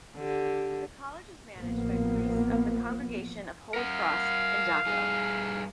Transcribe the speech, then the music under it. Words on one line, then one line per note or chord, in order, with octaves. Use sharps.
The college is managed by priests of the Congregation of Holy Cross in Dhaka.
D3 G4
A1 F3 A#3 B3
A#4 F5 F#5
G2 G#4